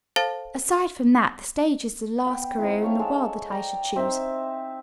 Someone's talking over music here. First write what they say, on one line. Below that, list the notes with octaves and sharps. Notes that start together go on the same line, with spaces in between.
Aside from that, the stage is the last career in the world that I should choose.
A4 C5 F5 A5 A6
B3 G5
C4 D#4 E4
A4 C#5 F5
G#3 A4 E6
D5 G5 A#5
C4 D#4 E5